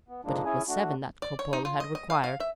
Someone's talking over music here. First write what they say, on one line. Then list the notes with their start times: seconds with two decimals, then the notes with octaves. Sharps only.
But it was seven that Cropole had required.
0.08 B3
0.25 F2 G#2 F3 G#3 A#3 D4
0.45 C#4 E4 G#4 G#5
0.68 A3 D4 F#4
1.22 D5
1.39 C#5
1.53 D#4
1.65 F4
1.80 D#5
1.95 D#5
2.10 F5
2.24 F5
2.40 E5